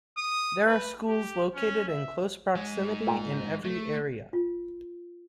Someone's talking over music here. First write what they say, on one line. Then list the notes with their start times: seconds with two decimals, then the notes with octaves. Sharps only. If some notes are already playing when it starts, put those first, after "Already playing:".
There are schools located in close proximity in every area.
0.18 D#6
0.67 B4
1.07 G4
1.55 C#4
1.89 E5
2.56 G#2 G#3
3.07 A#2 G5
3.65 A3
4.33 F4